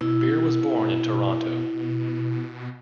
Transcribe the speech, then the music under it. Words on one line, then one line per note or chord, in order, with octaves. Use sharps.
Beer was born in Toronto.
B2 E4